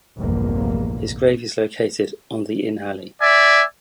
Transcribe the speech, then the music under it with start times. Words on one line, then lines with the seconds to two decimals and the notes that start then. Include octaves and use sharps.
His grave is located on the in Halle.
0.16 F1 A#1 E2 G2 A#3
3.21 D5 E5 G#5